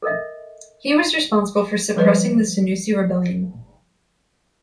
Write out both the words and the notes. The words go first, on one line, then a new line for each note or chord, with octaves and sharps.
He was responsible for suppressing the Senussi rebellion.
A4 A#4 D#5 E5
F3 G3 A4 B4 C5 D#5